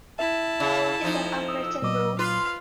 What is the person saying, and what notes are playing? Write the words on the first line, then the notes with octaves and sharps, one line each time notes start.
It's an unwritten rule.
E4 E5 A5
C#3
F2 F3 D#4
D#6 E6
A#2 F#3 D#5 D6
F4 B4 F5 C6